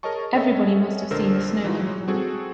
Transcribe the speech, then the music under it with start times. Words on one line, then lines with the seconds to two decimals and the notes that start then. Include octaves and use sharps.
Everybody must have seen the snow coming on.
0.03 G#4 A#4 C#5 D#5 A5 C#6
0.34 B3 C#4 A4 C#5 D#5 E5
1.11 A#1 D3 A#4 C5 E6
1.64 E3 G#3 D#4 F4 F#4
2.08 C4 F#4 G#4 A4